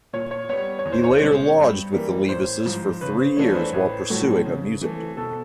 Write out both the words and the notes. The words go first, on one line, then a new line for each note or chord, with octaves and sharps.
He later lodged with the Leavises for three years while pursuing a Music degree.
A#2 C#5
C#5
G3 B3 C#5
C#5
E2
C5
C#5
B2 G#3 C#4
G2
E3 G3 A#3
A1 C5
G#2 F3
C#3 B4
C5
E3 A3 D4 F4 C#5
B4
C5
A1 B4
A2 F#3 A3
C#3
E3 A3
B2 A4